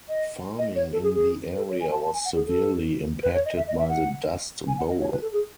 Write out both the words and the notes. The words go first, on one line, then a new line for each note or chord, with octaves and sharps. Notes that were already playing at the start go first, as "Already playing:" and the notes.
Farming in the area was severely impacted by the dust bowl.
D#5
D#5
C#5
A4
G#4
G#4
B4
A4
C#5
G#5
A5
A5
G#5
F#5
G#4
A4
B4
C#5
D#5
E5
D#5
E5
F#5
G#5
F#5
D#5
C#5
B4
A4
G#4